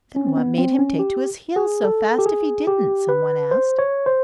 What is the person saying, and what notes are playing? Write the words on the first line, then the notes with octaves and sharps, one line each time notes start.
"Then what made him take to his heels so fast if he didn't?" some one asked.
C#4
C4
B3
C4
C#4
G4
G#4
A4
G4
G#4
G4
B4
C5
C#5
C5